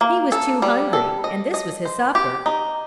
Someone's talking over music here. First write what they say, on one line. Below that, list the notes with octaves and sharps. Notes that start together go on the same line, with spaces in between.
He was too hungry, and this was his supper.
A#3
A4
G3
A4
D#5
D#5
C5
G4
D#4